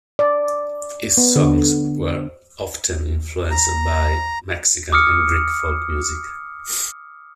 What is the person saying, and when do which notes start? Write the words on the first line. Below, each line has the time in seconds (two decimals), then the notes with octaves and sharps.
His songs were often influenced by Mexican and Greek folk music.
0.19 D5
1.17 B3
1.36 D3
3.51 A#5
4.92 D6 D#6 F6 C#7